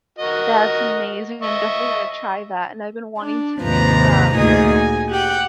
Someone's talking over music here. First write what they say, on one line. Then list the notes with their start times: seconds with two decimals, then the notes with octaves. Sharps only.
That's amazing, I'm definitely gonna try that. And I've been wanting to make, um,
0.19 F#4 A#4 D#5
1.42 D#5 E5 C#6
3.19 D4
3.61 D#2 G#2 C3 F3 B4 A#5
4.35 D2 A#2 D#4 G#4 G#5 D#6
4.69 G#5
5.09 G4 F#5 G5